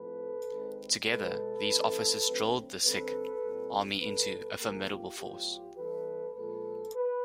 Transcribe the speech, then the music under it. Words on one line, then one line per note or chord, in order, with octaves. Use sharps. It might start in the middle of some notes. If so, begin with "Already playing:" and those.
Together, these officers drilled the Sikh army into a formidable force.
Already playing: A2 F3 A3 C4 A4 B4
D#3 G#3 C4
B2 G#3 B3 A4 B4
E3 A3 C4
D3 F#3 A3 C4
D3 G3 C4 A4 B4
A#2 G3 C4
B2 G3 B3 A4 B4
D3 F3 A#3 G#4 A#4
F4 G4
A2 F#3 B3 F4 G4
E3 G3 B3 A4 B4
A#2 F3 G#3 B3 A4 B4
B4